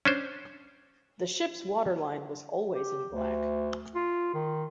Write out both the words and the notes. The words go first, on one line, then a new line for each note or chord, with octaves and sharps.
The ship's waterline was always in black.
C#4 D4 C5
G4
D2
F4
D#3